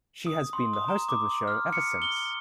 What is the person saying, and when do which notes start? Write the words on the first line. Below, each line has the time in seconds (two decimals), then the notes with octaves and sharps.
She has been the host of the show ever since.
0.27 D#6
0.53 C6
0.73 D#6
0.88 A#5
1.09 D6
1.48 F6
1.73 C#7
2.02 G7